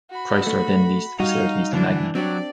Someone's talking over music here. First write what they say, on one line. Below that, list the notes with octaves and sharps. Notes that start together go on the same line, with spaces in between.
Chrysler then leased the facilities to Magna.
F#4 B5
A3
G3 D#4 F#4 F5
D2 E3 D4
F#3 C4 D4 G4 D5